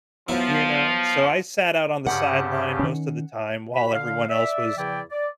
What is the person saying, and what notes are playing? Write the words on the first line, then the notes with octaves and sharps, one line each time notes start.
You know? So, I sat out on the sideline most of the time while everyone else was
F3 F#3 B3 E4
G2 C#3 G4 F#5
D#3 C#4
F#4 B5
D3 F5
D5 E5
E2 C#3 F3 E4 D5 G5
D5